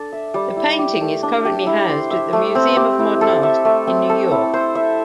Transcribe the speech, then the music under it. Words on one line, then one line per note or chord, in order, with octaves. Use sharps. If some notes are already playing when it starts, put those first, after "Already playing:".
The painting is currently housed at the Museum of Modern Art in New York.
Already playing: D4 A4
E5
G3
E4
G4
A3
D4
G4
E4
C5
E5
A3
C4
G4
E4
A4
E5
A3
C4
A4
E4
C5
E5